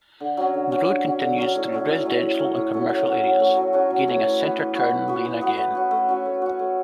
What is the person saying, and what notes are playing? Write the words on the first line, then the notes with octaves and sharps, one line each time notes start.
The road continues through residential and commercial areas, gaining a center turn lane again.
D3
F#3 C#4
D3
F#3 C#4
D3
F#3 C#4
D3
F#3 C#4
A2
F#3 A3 C#4
A2
F#3 A3 C#4
A2
F#3 A3 C#4
A2
F#3 A3 C#4
F#3
A3 C#4 F#4
F#3
A3 C#4 F#4
F#3
A3 C#4 F#4
F#3
A3 C#4 F#4
E3
B3 F#4 B4
E3
B3 F#4 B4
E3
B3 F#4 B4
E3
B3 F#4 B4
A3
C#4 F#4
A3
C#4 F#4
A3
C#4 F#4
A3